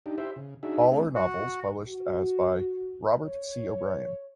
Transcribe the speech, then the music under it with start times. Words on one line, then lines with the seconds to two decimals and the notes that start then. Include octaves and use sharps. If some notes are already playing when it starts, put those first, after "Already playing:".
All are novels published as by Robert C. O'Brien.
0.06 D4 D#4 G4
0.18 E4 G4 C5 E5
0.36 C#3
0.63 D4 D#4 F#4 G#4 E5
0.92 A3 C4 D4 G#4
1.15 F#4
1.88 F#4
3.20 C#5